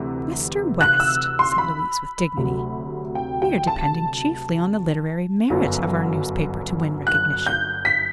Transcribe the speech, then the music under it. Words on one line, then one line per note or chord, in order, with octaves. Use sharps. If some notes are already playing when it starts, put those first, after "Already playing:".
"Mr. West," said Louise, with dignity, "we are depending chiefly on the literary merit of our newspaper to win recognition."
Already playing: D2 C3 E3
F#6
E6
C6
B5
D2 C3 F#3
G5
G5
A5
G1 F#2 F#3
F#6
G6
B6